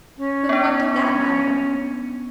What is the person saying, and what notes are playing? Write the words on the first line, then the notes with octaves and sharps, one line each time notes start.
But what did that matter?
C#4
B3 D4